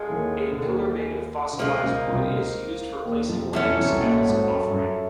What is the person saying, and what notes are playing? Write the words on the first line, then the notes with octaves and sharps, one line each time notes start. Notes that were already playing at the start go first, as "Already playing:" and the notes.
A pillar made of fossilized wood is used for placing lamps as offering.
Already playing: A2 F3 G#3 C#4
E3
D#2 D#3
D3
D#2 D#3
D3
C#2 C#3 F3 A#3 D#4
C#2 C#3
C2 C3
D3
C#2 C#3
D#2 D#3
F2 F3
E2 E3 F#3 A3 C#4
F2 F3
E2 E3
C2 C3
A#1 A#2
A2
G#1 G#2
F#2
G2
F#2